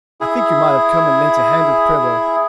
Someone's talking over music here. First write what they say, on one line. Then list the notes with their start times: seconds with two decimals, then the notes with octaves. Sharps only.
'I think you might have come and lent a hand with Prebble.
0.21 E4 G#4